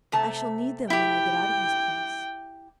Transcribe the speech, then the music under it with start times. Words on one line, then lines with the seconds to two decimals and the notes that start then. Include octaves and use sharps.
I shall need them when I get out of this place.
0.12 C3 A3 A5
0.90 E4 G4 G5